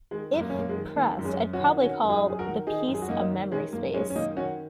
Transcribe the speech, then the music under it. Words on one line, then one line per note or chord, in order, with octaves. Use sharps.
If pressed, I'd probably call the piece a 'memory space.
D#3 G#3
F#2
A#3
C#4
F#2 A#3
G#3
D#3
D#3 A#3
F#2
G#3 C#4
F#2
C#4 F#4
D#3
D#3 C#4 F#4
F#2
D#4 G#4
F#2
G#4
F#4 A#4
D#3
D#3 D#4 G#4
F#2
G#4
F#4
F#2 A#3 D#4
D#3
D#3 G#3 C#4
F#2 A#3
F#2 G#3 C#4
C#4
D#3 A#3 D#4
D#3 C#4 F#4